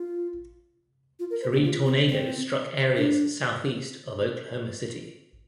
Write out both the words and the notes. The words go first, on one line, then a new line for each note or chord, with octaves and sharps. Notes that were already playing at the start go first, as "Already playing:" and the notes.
Three tornadoes struck areas southeast of Oklahoma City.
Already playing: F4
F4
A#4
C5
G4
F4
C4
C4
D4